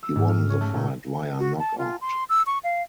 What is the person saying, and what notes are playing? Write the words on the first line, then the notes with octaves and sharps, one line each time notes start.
He won the fight via knockout.
E6
G#2
F6
C#4
A3
A#2
F#4
A5
F4
C6
E6
C#6
F5